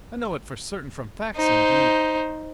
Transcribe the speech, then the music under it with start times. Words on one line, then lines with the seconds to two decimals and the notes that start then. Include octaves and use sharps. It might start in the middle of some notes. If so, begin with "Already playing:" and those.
I know it for certain from facts, indeed.
1.37 D#4 C5